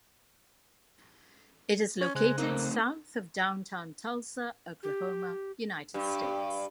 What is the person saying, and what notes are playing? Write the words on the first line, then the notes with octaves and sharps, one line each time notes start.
It is located south of downtown Tulsa, Oklahoma, United States.
C#4
C#3 G#3 C5 F#6
A3 A#3 C4 D#4
G4
G2 G4